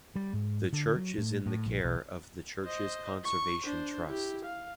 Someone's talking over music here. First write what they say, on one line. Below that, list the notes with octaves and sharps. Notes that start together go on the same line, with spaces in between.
The church is in the care of the Churches Conservation Trust.
G3
G#2
D3
F#3
A2
A2
A#1
B1
C5 D#5
C#6
D4 C5
E4 G4
F5